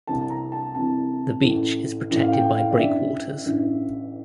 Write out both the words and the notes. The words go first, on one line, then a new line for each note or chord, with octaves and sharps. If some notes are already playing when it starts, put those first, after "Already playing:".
The beach is protected by breakwaters.
C2 C3 E3 A5
A#5
A5
C2 C3 E3 A5
A1 A2 E3
A1 A2 E3
F5
G5
G5
F5
D5
A1 G2 E3 E5
A1 G2 E3